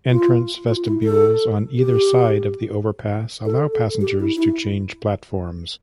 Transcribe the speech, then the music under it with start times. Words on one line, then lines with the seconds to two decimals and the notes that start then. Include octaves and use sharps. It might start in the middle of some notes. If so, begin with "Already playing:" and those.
Entrance vestibules on either side of the overpass allow passengers to change platforms.
0.10 F4
0.67 F4
0.85 E4
1.04 A4
1.78 G4
3.45 A4
3.73 A4
4.01 G4
4.19 E4
4.37 E4